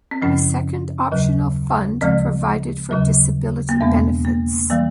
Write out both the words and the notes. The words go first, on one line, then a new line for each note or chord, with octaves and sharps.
A second optional fund provided for disability benefits.
C4
F#2 C#3 F3 C#4
D#2 C#3 F#3
D2 C#3 F3 G#3 C4
D#2 C#3 F#3
A#3
E2 B2 G#3 B3
A#3
E3 G3 A#3